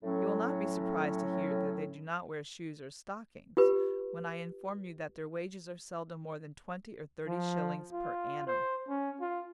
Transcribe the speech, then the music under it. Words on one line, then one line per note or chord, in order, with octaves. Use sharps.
You will not be surprised to hear that they do not wear shoes or stockings, when I inform you that their wages are seldom more than twenty or thirty shillings per annum.
A2 F#3 C#4
F4 G4 B4
F3
F4
C5
C#4
F4